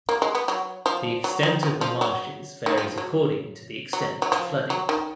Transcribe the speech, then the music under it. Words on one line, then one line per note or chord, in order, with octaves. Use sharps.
The extent of the marshes varies according to the extent of flooding.
A#3
G#3
B3
F#3
F3
F#3
D#3
F3
F3
F#3
D#3
F3
F#3
F#3
F#3
F3
F#3
D#3